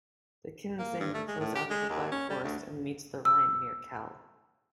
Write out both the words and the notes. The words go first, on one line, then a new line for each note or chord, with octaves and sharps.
The Kinzig flows out of the Black Forest and meets the Rhine near Kehl.
A#3
G2
A3
G#3
A2
G4
G#3
D#2
C#4
G3
D2
E6